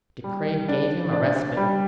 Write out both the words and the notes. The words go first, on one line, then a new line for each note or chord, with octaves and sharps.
De Craye gave him a respite.
G3
D4
D4
G3